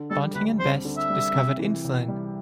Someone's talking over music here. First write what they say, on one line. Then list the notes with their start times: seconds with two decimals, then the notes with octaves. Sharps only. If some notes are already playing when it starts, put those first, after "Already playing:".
Banting and Best discovered insulin.
Already playing: D3
0.10 G3 A4
0.35 D2 B4
0.59 C4 C5
0.85 D3
0.97 E5
1.10 G3
1.34 C3
1.59 E3
1.84 C2
2.08 G3